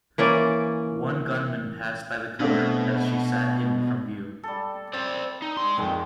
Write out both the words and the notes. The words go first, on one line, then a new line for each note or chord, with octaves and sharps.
One gunman passed by the cupboard as she sat hidden from view.
E3 A#3 C#4 D5
B2 A3 C4 D4
G3 A4
C4 C5 D5
D#4
G#3 C6
B1 F2 D#3 G#3 A#3